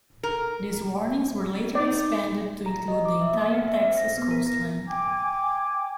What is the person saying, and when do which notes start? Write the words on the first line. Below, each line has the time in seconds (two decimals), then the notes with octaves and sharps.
These warnings were later expanded to include the entire Texas coastline.
0.23 A#4
1.75 D#4 D5
2.66 A#5
2.88 D#5
3.05 D6
3.21 E5
3.33 A#3
3.53 F5
3.68 E5
3.81 C4
3.97 A#6
4.18 B3
4.31 A#4
4.47 A#6
4.88 G5 G#5 D6 G#6